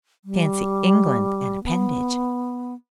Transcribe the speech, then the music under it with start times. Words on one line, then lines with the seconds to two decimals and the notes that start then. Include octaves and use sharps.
Fancy England an appendage!
0.25 G3
1.64 B3